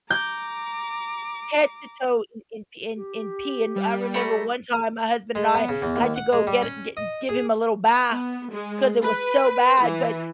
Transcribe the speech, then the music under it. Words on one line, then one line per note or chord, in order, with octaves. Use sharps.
head to toe in in pee in in pee, and I remember one time my husband and I had to go get gi give him a little bath, 'cause it was so bad, but
A#5 D6 G6
G4
G3
A3 A#5 B5
G#3
B3
C#3
E2
D#2
F#5
G#3
G3
C#4
D#5
G#4
B3
G#3
B4
E3